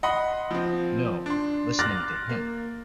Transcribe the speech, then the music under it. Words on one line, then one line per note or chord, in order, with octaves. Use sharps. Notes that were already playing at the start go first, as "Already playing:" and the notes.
No, listening to him.
D#5 F#5 B5 C6
F3 C4
D4 C6
C6 D6 F6 F#6 A6 A#6
A#3